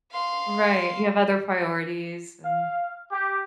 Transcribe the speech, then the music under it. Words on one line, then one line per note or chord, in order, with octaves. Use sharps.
Right, you have other priorities and
F5 C6
F5
G4